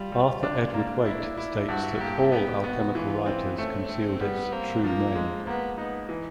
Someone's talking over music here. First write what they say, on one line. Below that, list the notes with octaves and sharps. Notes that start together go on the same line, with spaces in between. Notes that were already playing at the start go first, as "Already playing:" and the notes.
Arthur Edward Waite states that all alchemical writers concealed its "true name".
Already playing: G3 F4
G3
D4
A#3
E4
E4
G2 F#4
A#3 G4
B3 G4
B3 F#4
E3 F4
C4
A3 C#4
A3 C4
G3 B3
A#3 C4
F3 A#3
G#3
A#3 B3
B3 D#4
E3